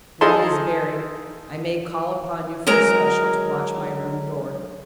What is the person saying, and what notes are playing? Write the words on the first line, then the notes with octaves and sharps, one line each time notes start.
When he is buried, I may call upon you for a special to watch my room door.
F3 D#4 G#4 A4 A5 C6
F#3 G#3 A#4 A#5